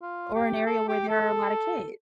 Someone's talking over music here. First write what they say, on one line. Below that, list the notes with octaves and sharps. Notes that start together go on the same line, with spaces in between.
Or an area where there are a lot of kids?
F4
G4
A4
G4
A4